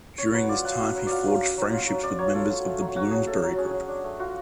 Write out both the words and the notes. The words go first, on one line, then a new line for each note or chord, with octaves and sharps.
During this time he forged friendships with members of the Bloomsbury Group.
C#4 C#5
F#3 B4
F4 D5
F#3 F#5
C#4
F#3
F4 D5 F5
F#3
C#4
F#3
F4
F#3
C#4 D5
F#3 C#5
F4 A4
F#3
A3
F#3
C#4 F#4
F#3 G#4
A3 A4
F#3
C#4 G#4
F#3
D4
A3
F4 F#4